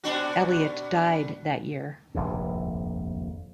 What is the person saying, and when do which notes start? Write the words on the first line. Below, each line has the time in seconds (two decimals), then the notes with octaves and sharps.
Elliott died that year.
0.04 B2 D4 F#4
2.15 F1 A#1 D#2 G#2